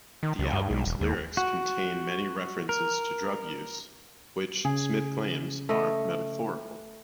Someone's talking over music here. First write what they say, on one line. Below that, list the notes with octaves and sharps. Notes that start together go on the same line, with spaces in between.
The album's lyrics contain many references to drug use, which Smith claims are metaphorical.
D#3
C#2
G2
B1
E1
D#2
F#4
A#4
C#3 G#4
A3 D#5